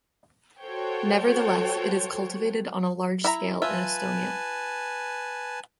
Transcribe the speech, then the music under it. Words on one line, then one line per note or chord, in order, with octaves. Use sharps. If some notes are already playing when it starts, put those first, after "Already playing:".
Nevertheless, it is cultivated on a large scale in Estonia.
F#4 A4 C5 C#5 G5
E4 E5 A#5
F4 B4 E5 G#5 A5